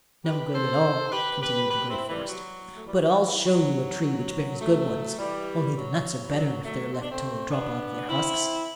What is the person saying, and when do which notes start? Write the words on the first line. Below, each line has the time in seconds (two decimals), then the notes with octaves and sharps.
"No good at all," continued the great forester; "but I'll show you a tree which bears good ones, only the nuts are better if they're left till they drop out of their husks."
0.25 G4 B4
0.54 A4 C5
1.12 G4 B4
1.41 G4 B4
1.70 G4 B4
1.90 C4 E4
2.09 E3 G3
2.28 F#3
2.75 A3
2.86 E3 G3
3.06 E3
3.25 E3
3.35 E3
3.45 F#3
4.02 F#3
4.60 F#3 A3
5.18 E3 G3
5.77 F#3
6.25 E3
6.34 F#3
6.64 F#3 A3
6.93 C4
7.01 D4
7.10 A3 C4
7.50 B3 D4
8.09 C4 E4